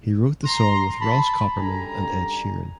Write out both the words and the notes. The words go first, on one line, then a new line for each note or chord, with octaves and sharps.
He wrote the song with Ross Copperman and Ed Sheeran.
A#5 C6
A5 B5
F#2 D3 G3 G#5 A#5